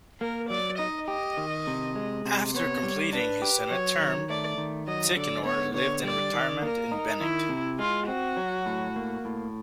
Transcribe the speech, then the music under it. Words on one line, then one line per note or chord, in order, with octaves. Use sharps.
After completing his Senate term, Tichenor lived in retirement in Bennington.
A#3 A#4
F#3 D5
D#4 D#5
G4 D#5
D#3
C3
G#3
C3
B3 C#5
G3
D4 B4
G4
F#3 C#5
D#3
A3 D5
D#3
F#3 D#5
D3 D5
B3 C#5
D3 C#5
G3 D5
D#3
A#3 A#4
D#4
D#3 E4
C3
G#3 F4
C4 F#4
F#3
A2
A#3
A2